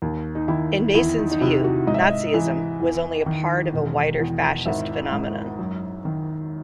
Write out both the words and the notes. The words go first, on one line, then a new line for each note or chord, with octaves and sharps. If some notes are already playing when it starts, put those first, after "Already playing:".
In Mason's view, Nazism was only part of a wider fascist phenomenon.
D#2
D#4
D#3 E4
E2 E4
D#4
D#4
C3 E4
F#4
G#2 D#5
E5
D#5
E3
E2
D#3
E1
E2
G#1 E5
G#2
F#2
D#3